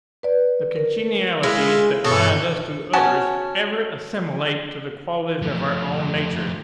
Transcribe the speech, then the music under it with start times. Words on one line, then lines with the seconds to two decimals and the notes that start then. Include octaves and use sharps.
The congenialities that bind us to others ever assimilate to the qualities of our own nature.
0.23 B4 D5
0.76 A#4
1.43 G#3 E4 F4
2.04 G2 B2 A4 C#5 D#6
2.93 C#4 F#4 A5
5.42 F3 A3